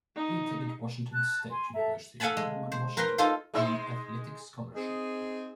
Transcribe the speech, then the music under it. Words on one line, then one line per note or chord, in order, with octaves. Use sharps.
He attended Washington State University in Pullman, Washington, on an athletic scholarship.
D#4
A5 F#6
G#5 C6
A4 E5 A#5
A4 F5 F#5 G#5 A5 B5
G#3
C5
A#4 B4 G5 A#5 C6
D#4 F4 A4 C5 F5
G#3 D#4 C5
C4 D#4 G#4